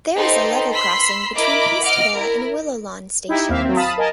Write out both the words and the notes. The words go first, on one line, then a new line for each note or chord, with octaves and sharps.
There is a level crossing between Haste Hill and Willow Lawn stations.
D#4 G4 A4 B4 C5 C6
B5 C6 E6 B6 C7
E4 A#4 D#5 B5 D6
D#5 F#5 D6 F6 D7
E4 A#4
D#4 E4 G4
D#2 A#3 C4 E5 F5
F#3 C4
F5 A5 B5 D#6
A#4 D#5 G#5 A5